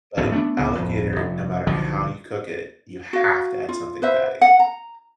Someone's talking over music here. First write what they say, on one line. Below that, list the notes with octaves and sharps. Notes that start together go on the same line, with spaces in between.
But alligator, no matter how you cook it, you have to add something fatty.
G#1 E2 A2
A3 B3 C#4 D4
C#2 C#3 B3
D1 F2
F1
B1 D3 D#3 F3
F#4 F5
F4
B4 C5 E5
F#5
A#5